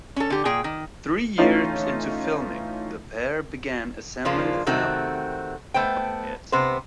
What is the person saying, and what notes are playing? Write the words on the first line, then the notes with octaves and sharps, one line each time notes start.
Three years into filming, the pair began assembling the film and editing it.
C#4 A4
D3 G4
A#2 G#4 G5
D#3
E3 A3 C#4 D#4 F4
C#3 F3 A#3 D4 F4
C3 D#3 A3 C4 F#4
A3 B3 C5 G5
C3 B3 C5